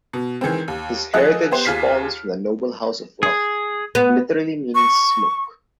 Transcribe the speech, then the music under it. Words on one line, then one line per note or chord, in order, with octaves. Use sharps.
His heritage spawns from the noble house of "Rauch" literally meaning 'Smoke'.
B2
D#3 E3 G#3 C4
D#2
F3 G#4 A4 D#5 F#6
B3 G4 C5
D#2 F4 G#4 F6 B6 C7
G#4
B3
C#6